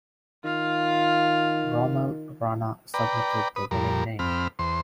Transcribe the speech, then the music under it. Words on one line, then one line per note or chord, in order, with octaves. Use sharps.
Rommel Rana submitted the winning name.
D#3 F4 F5
B4 D5 G5 A#5
B4 D#6
F2 G3 A#4
F2 C4 B5 F6
E2 C5 C6